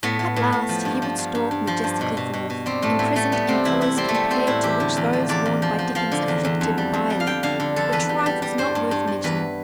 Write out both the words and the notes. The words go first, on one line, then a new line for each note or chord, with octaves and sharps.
At last he would stalk majestically forth, imprisoned in collars compared to which those worn by Dickens's afflicted Biler were trifles not worth mentioning.
A2 B3
A2
A2
A2
F3
G2
F3
G2
G2
G2
F3
G2
B2
B2
B2
B2
G3 C4
A2 A3
A2 B3
G3 A3
G3 B3
C3 C4
E2 E4
G3 E4
G3 C4
A3
G3 B3
G3 C4
A2 E4
E2 G4
D3
E2
F3
E2 D5
E2
F3
F3
F3 F5
D3
E2
E2
F2
G3
F2
G3
F5
D3 G5
D3 F5
D3
F2 A4
E2 B4
G3
G3
G3
G2 C5
G2
G2
G2
E2 B4